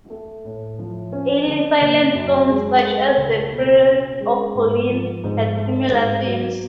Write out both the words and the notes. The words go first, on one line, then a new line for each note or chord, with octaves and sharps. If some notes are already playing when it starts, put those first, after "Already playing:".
Early silent films, such as "The Perils of Pauline" had similar themes.
A3
A2
F3
C#4
D3
F#1
F#2
G#3
A3
C#2
B2
C#4
G#3
G#2
F3
G#2
A3
G#2
F#3